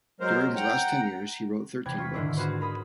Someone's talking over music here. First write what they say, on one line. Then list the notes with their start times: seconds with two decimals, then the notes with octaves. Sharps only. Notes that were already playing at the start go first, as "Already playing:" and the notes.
During his last ten years he wrote thirteen books.
0.20 F#3 G#3 A#4 C5
0.56 F#5 G5 A#5
1.85 E2 C3 B4 G5 G#6
1.98 F4 C#6 B6
2.14 G#2 D3 D#3 G#3 D4 E4
2.37 F4 F#4 G#4 B4 C5
2.61 A#4 B5 D#6